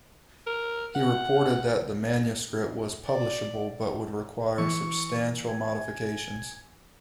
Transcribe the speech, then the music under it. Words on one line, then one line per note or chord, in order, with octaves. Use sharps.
He reported that the manuscript was publishable, but would require substantial modifications.
A#4
F#5
D5
E3 C#6
G#5